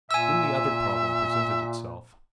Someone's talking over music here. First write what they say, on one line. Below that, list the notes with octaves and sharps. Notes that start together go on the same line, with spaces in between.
Then the other problem presented itself.
A#2 E5 G#5 E6